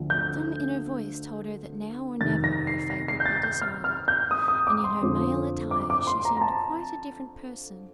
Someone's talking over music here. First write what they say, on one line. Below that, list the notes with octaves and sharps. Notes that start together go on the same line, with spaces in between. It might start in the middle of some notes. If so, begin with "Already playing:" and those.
Some inner voice told her that now or never her fate would be decided, and in her male attire she seemed quite a different person.
Already playing: D2 D3 F3
G6
F2 C3 D#3 A6
A#6
C7
A#6
C7
G6
A6
G6
F6
F6
G6
D#6
D#6
D6
C6
F2 D3 F3
D6
D6
C6
A#5
A#5
A5